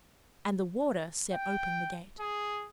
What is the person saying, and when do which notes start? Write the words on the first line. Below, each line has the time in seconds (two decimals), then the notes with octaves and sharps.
And the Warder set open the gate.
1.33 G5
2.20 G#4